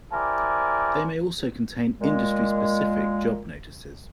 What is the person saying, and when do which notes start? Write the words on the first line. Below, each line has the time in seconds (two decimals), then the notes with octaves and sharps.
They may also contain industry-specific job notices.
0.13 E4 G4 A#4 C5 D5 G#5
2.01 A#2 G#3